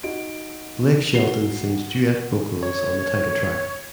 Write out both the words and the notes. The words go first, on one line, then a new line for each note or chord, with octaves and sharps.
Blake Shelton sings duet vocals on the title track.
D#4 F#4 D7
F#4 C7 G7
C#5